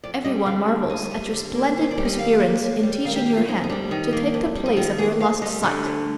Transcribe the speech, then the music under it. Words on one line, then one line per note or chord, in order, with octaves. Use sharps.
Every one marvels at your splendid perseverance in teaching your hand to take the place of your lost sight.
F2 D5
G3 D#5
D3 F5
A#3
F2 D#5
G3
D3
A#3
D#2 C5
D5
G3
D#5
D#3 F5
A#3
D#2
G3
D#3 F5
G4
A#3 G4
F4
F2 D#4
D#4
G3 D4
D#3 D#4
A#3
F2
G3
D#4
D#3 F4
A#3 G#4
D2 F5
G3 D#5
D3
D2